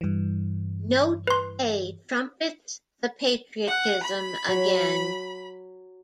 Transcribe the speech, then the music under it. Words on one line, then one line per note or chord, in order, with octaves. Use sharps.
Note A trumpets the patriotism again.
G2 E3
B4 C6
F#5
B5
F#3